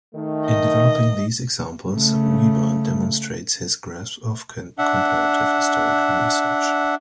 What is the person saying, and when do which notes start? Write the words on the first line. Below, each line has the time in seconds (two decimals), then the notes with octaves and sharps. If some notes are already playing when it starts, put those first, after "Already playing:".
In developing these examples, Weber demonstrates his grasp of comparative historical research.
0.14 D#3 A3
0.46 D#5
1.92 C#3 A3
4.78 D4 E5 F#5